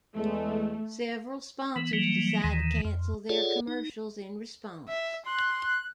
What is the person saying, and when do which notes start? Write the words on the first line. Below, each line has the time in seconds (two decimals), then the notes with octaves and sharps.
Several sponsors decided to cancel their commercials in response.
0.15 E2 G#3 A3
1.76 E3 B3
1.93 E3 F#3 G3 A#3
2.44 D#2 D#3 E3
2.85 F2
3.29 F4 G#4 A4 C#5 D5 F#5
3.68 D#4
4.89 E5
5.26 C6 F#6